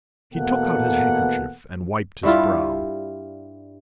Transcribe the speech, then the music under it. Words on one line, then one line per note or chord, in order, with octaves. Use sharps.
He took out his handkerchief and wiped his brow.
E2 B2 A#3 B3 A4 F#5
G2 G3 E4 F4